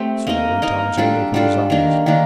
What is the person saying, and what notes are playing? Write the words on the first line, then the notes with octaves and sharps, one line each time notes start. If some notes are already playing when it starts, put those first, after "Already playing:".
Slowly Tarzan opened his eyes.
Already playing: A3 C4 G4
A#3 D#4 A#4 D#5
A#3 D#4 A#4 D#5
G3 D4 F4 A4
G3 D4 F4 A4
D#3 A#3 D4
D#3 A#3 D4